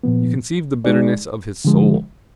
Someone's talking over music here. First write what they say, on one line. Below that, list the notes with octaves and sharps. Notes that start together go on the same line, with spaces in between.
You conceive the bitterness of his soul.
A#2 F3 B3
G#3 D#4 G#4 D5
D3 F3 G#3